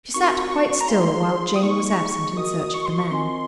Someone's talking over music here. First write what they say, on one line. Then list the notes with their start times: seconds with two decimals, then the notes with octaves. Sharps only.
She sat quite still while Jane was absent in search of the man.
0.14 C4 D#4 F#4 A#4 F5 C#6
0.51 C#6
0.81 A#5
0.88 D#4 G#4 C5 F5 G#5 C6
1.56 D#6
1.63 A#3 D#4 G#4 D#5 C#6
2.37 F#4 A#4 D#5 D#6
2.74 C#6
2.86 C6
2.98 C#6
3.11 C4 F4 A#4 D#5 G#5 C6